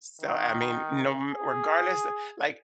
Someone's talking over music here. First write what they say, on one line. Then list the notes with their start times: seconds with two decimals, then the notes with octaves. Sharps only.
So, I mean, you kno m regardless, like,
0.21 D#3
1.31 G#4